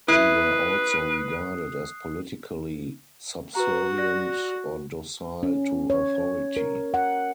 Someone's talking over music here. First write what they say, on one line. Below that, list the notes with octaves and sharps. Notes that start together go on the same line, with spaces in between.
They were also regarded as politically subservient or docile to authority.
E4 B4 D#6 F#6 C7
F#4 B4 A#5
D5 F#6 A#6
C#4
C#5
A#4
F#5